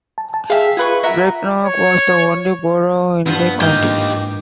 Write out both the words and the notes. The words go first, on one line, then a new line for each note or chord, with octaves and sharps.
Brecknock was the only borough in the county.
A5
A5
G#4 E5 F5 G5
F4 G#4 B4 C#6
A#4 E5 F#5
C#5
G2 F3 B3
G#2 E3 A#3 D#4 G4 G6